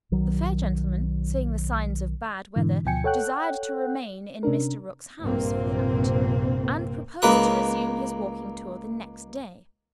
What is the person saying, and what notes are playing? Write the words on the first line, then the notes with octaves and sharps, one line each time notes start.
The fair gentleman, seeing the signs of bad weather, desired to remain in Mr. Rook's house for the night, and proposed to resume his walking tour the next day.
B1 D#3 F#3
G#2 B2 D3 E3
D2 B2 F3 G5 G#5 C#7
A4 C#5 F#5 G5 F#6
C3 C#4 D4 A#4
A#1 G2 C3 A#3 C4
C#2 A#3 B4 D#6